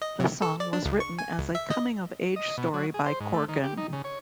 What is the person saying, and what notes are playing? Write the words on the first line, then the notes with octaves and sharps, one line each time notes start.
The song was written as a coming of age story by Corgan.
D#5
C3
A4
D5
D4
C#2
C#6
G#5
C#2
E5
D#5
D#5
B2
F#3
G#4
C5
G#2
A3
D#3
G4
D#4
C#3
C#5